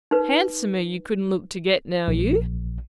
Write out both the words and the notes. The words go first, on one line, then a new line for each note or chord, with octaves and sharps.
Handsomer you couldn't look to get, now you.
D#4 B4
A#1